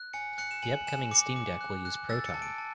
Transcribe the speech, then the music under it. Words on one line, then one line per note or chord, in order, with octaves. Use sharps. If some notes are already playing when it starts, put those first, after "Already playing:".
The upcoming Steam Deck will use Proton.
Already playing: F#6
G#5 C#7
F#6 C#7
E7
G#5 F#7
G#5 E7
D6 C#7
D6
F#6
F#6
E6 A6
C#7
A5
D7
A5